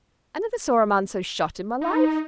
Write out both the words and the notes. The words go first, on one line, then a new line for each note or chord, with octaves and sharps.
I never saw a man so shot in my life.
D#4